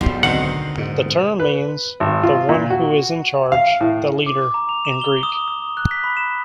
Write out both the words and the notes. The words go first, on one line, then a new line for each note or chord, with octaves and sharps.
The term means "the one who is in charge", "the leader" in Greek.
B1 G#2 F3 G3
D2 B2 D#3 C4 F#5
G#2
B4
G#1
F4
A#2
F#4
F5
A2
D6
A#5
F7
E7
G7
D#6
D#6
F#6
B6
B5
E7